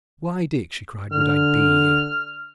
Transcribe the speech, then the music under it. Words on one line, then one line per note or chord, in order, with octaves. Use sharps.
"Why, Dick," she cried, "would I be here?"
D3 F6